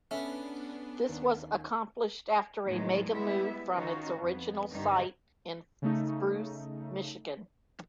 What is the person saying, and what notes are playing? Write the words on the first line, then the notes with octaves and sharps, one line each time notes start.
This was accomplished after a "mega-move" from its original site in Spruce, Michigan.
B3 C#4 D4 A4 B4 E5
D#2
E2 A2 D#3 F#3 G#3
G3 G#3 B3 E4 E5
D#3 C#4 D#4 F4 F#4
F2 B3
G2 D3 D#3 D#4 G4
C#3 A3 D#4